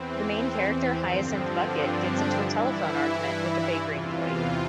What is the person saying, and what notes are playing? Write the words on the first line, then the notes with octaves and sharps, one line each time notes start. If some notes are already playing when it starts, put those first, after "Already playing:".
The main character, Hyacinth Bucket, gets into a telephone argument with a bakery employee.
Already playing: E2 E3 C4
G2 D3 F3
D4
G2 E3 E4
E2 C3 E3 F4